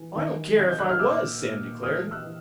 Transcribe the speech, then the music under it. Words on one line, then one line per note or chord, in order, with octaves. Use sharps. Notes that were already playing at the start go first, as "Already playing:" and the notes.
"I don't care if I was," Sam declared.
Already playing: E3
D#3
C3 G#6
G6
F#6
F6
A#2 D6 E6
A#2
E3 D#6 F6
E6 F#6
E3